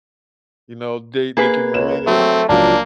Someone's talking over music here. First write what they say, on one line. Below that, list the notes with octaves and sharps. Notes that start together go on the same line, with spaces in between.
you know, they they can remain in power.
A#3 G#4 B4
C#2 E7
F#3 A3 C4 F#4
C#2 F3 F#3 A#3 D4